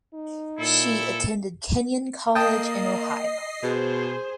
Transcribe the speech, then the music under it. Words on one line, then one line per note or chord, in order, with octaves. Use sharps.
She attended Kenyon College in Ohio.
D#4
A#2 E4 A4
A#3 D#5 G5 A5 D#6 C7
B2 G#4 C5